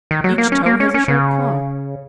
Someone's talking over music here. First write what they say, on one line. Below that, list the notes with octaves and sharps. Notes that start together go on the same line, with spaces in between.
Each toe has a sharp claw.
D#3
F#3
A#3
C#4
A#3
C#4
C#4
C#3